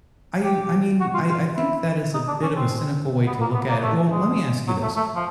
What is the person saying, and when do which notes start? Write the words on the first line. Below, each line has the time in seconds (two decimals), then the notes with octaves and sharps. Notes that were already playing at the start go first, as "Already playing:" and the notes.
I I mean, I I think that is a bit of a cynical way to look at it. Well, let me ask you this.
0.44 G4
1.01 F#4
1.14 F4
1.30 F4
1.57 E4
2.14 D#4
2.28 D4
2.43 C#4
2.56 C4
3.27 B3
3.41 A#3
3.55 B3
3.69 A#3
3.83 A3
4.11 G#3
4.68 F#3
4.82 A3
4.96 A3
5.15 F3